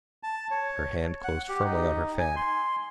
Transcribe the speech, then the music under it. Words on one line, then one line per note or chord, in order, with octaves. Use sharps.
Her hand closed firmly on her fan.
A5
C#5
F#5
G4
D#4
G#5
C6